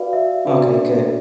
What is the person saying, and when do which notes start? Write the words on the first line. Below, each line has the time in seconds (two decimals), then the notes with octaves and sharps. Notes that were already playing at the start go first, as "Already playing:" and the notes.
Okay, good.
Already playing: F#4 B4 D5 F5
0.13 E5
0.45 D4 F#4 B4 D5